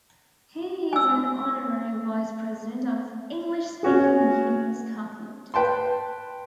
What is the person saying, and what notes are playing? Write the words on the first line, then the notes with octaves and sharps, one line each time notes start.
He is an Honorary Vice-President of English-Speaking Union Scotland.
G#5 E6
C#4 F#4 G#4
B4 G5 A5 C6